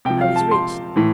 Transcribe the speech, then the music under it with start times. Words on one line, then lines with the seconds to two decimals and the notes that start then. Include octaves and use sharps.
I was rich.
0.05 C3 F3 G5
0.21 F5
0.36 A5
0.51 C6
0.96 A2 E3